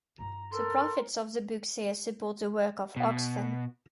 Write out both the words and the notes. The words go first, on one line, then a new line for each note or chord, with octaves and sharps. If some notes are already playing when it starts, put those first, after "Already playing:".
The profits of the book sales support the work of Oxfam.
G2 F4 A#5
A4 A#4 C6
B2